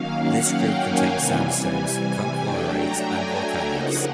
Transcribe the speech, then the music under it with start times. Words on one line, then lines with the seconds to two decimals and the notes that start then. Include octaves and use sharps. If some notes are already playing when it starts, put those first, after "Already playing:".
This group contains sandstones, conglomerates, and volcanics.
Already playing: D#3 F#3 A#3 C#4 F5
0.21 F#5
0.52 G5
0.84 G#5
1.16 C3 E3 G3
2.43 F#3 A3 D4 G5
2.75 A#5
3.06 G#5
3.38 G5
3.69 C#3 F3 A#3 D#4 F#5